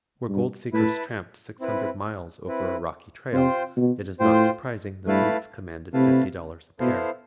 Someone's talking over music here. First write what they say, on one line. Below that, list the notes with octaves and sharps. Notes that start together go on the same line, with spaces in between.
Where gold-seekers tramped six hundred miles over a rocky trail, it is not surprising that boots commanded fifty dollars a pair.
G2
A2 E4 B4 E5 A5
C4 E4 B4
C4 E4 B4
C3 F4 C5 G5
B2
A2 F4 C5 G5
G2 A3 E4 B4 F5 A5
C3 A3 E4 B4 F5 A5
B2 B3 E4 A4 C5 F5